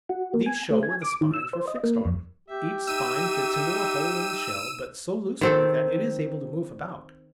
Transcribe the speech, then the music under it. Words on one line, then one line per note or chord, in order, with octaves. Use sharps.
These show where the spines were fixed on; each spine fits into a hole in the shell, but so loosely that it is able to move about.
F#4
A#3
G#5
A3
G#5
D6
D#3
E6
C5
D#5
A#3
F2
G4 E5
D#4 E5 E6 D#7
D#3 C4 A4